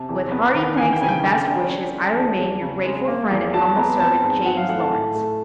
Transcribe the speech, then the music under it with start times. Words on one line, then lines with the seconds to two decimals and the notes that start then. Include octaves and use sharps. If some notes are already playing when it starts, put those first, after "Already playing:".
With hearty thanks and best wishes, I remain "'Your grateful friend and humble servant, 'JAMES LAURENCE'."
Already playing: C3 A5
0.09 E2
0.32 B3
0.54 D#3
0.77 E3 G#5
0.93 G5
1.01 C#3 G#5
1.09 G5
1.24 D3 G5
1.47 D3 G#5
1.70 C#4
1.93 G#3
2.05 G#5
2.15 E2 A5
2.39 E2
2.62 C#3
2.85 G#3
3.08 A#3
3.31 E2
3.54 F#3 A5
3.77 B3 A#5
4.00 C4 A5
4.23 G#2
4.46 F#3 F#5
4.57 F5
4.69 A3 F#5
4.80 A5
4.92 A2
5.15 A3